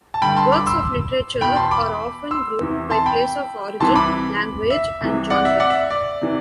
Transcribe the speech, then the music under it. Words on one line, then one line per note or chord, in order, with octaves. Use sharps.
Works of literature are often grouped by place of origin, language, and genre.
A5
G2 D3 G5 B5
A5 C6
B5 D6
C6 E6
E2 B2 G5 B5
A5 C6
B5 D6
C6 E6
E2 C3 E3
A5 C6
G5 B5
C2 C3 E3 A5 C6
B5 D6
E5
C2 C3 E3
D5 F#5
E5
D5 F#5
E5
D5
C3 E3